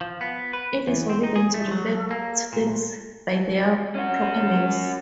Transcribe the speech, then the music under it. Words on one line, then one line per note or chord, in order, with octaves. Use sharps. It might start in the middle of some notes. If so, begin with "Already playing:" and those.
It is forbidden to refer to things by their proper names.
F3
B3
B4
E2
C4
D#4
G#4
A3
F#3
A#3
A#2
C#4 F#4